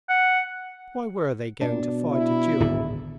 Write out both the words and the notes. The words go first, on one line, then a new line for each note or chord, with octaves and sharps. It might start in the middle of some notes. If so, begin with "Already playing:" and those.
Why were they going to fight a duel?
F#5
B2 D4
E4
D1 G#1 D3